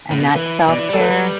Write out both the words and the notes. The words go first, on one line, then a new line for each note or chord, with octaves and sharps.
and that's self-care,
A2
B2
D3
E3 B4
B2 D5
E3
D5
G3 A4
A3 B4
G3